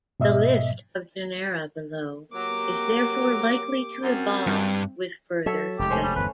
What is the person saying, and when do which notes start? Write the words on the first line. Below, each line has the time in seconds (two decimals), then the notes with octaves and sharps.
The list of genera below is therefore likely to evolve with further study.
0.20 G#2 B2 D#5 E5
2.34 F#3 A#3 G4 D6
4.03 F#2 C4
4.47 G2
5.46 F#3 A4 C#5 E5
5.79 F1 D#2 G#3 G4
5.90 A3 C#4 C5
6.03 G3
6.16 G1 E2 G#2 B4